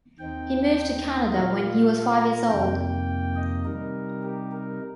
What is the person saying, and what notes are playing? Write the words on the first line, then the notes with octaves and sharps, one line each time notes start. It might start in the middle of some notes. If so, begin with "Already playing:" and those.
He moved to Canada when he was five years old.
D#2 D#3 C4 D#4 G5
G5
D#5
A#2 A#3 F4 F5
F5
A#5
F2 C3 D#3 A#3 G5
G5
D#5
C3 G3 D#4 A#4
G4
A#4